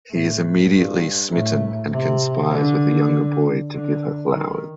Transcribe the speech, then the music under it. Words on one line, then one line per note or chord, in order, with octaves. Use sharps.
He is immediately smitten and conspires with a younger boy to give her flowers.
A2
G2
A2
C3
D3
D3
D#3